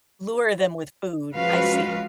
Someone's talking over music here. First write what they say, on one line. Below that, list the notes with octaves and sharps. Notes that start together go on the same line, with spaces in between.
Lure them with food, I see.
F3 G#3 C#4 F#4 B4 F5